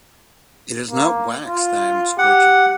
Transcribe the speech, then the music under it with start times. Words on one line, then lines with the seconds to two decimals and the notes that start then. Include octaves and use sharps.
It is not wax that I am scorching.
0.91 A#3
1.46 F4
2.18 G4 F#5